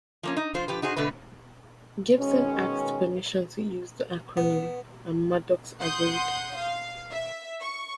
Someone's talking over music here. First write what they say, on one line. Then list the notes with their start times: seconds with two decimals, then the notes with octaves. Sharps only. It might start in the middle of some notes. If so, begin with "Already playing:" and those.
Gibson asked permission to use the acronym, and Maddox agreed.
0.23 F3 A#3 C#4
0.37 D#4
0.54 F3 F4 C5
0.68 F3 G4 B4
0.82 D#4 F#4 G#4 C5
0.96 B2 D3 A3 B4
2.19 B2 D#3 G#3 C#4
4.37 B3
5.81 F#5 C6 D#6 G6
6.57 F5
7.11 E5
7.61 C#6